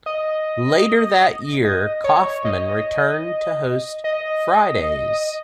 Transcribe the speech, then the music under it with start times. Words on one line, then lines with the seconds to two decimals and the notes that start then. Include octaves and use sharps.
Later that year, Kaufman returned to host "Fridays".
0.06 D#5
1.65 D#5
2.04 C#5
2.45 D#5
4.04 D#5